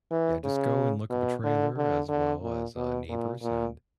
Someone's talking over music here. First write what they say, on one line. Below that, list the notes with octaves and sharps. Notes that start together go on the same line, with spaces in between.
yeah, just go and look up a trailer as well as, uh, Neighbors, and
E3
C#3
B2
D3
D3
D3
A#2
B2
A#2
A#2